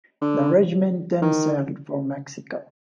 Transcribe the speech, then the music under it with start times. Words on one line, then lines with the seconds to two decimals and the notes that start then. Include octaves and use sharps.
The regiment then sailed for Mexico.
0.22 D3
1.22 D#3